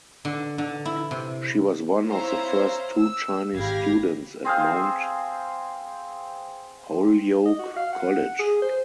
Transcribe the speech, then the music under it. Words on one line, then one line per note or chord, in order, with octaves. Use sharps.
She was one of the first two Chinese students at Mount Holyoke College.
D3
D3
E4
C3
C4 E4 C5 C#5 F5 A#5
E6
G#1 G4 F5 B5 G#6 A#6
C4 G#4 C5 F5
D#5
F#4
F5
F#5
G#4
C5